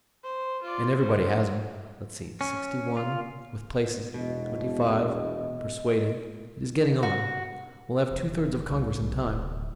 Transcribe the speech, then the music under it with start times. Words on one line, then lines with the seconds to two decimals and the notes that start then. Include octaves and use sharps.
And everybody has 'em. . . .Let's see: . . . sixty-one. . . . with places . . . twenty-five . . . persuaded--it is getting on; . . . . we'll have two-thirds of Congress in time . . .
0.24 C5
0.62 F4 D5
0.98 C#4 C5
2.41 C#4
2.97 F4
4.14 E1 B2 D#5
7.03 F#4
8.11 F1
8.70 C2
9.01 B1
9.24 D1